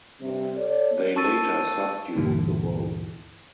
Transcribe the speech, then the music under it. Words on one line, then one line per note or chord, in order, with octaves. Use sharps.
They later subdue The Wolf.
G2 C3
A4 C#5 D5
A5 C#6 E6 A6 D#7
D2 G2 A#2 E3